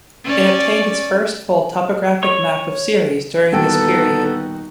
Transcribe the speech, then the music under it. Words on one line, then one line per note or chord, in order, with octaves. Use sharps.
It obtained its first full topographic map of Ceres during this period.
C#4 D5
C#5 C#6
D#1 B3 D#4 F#4 A4 G5 D7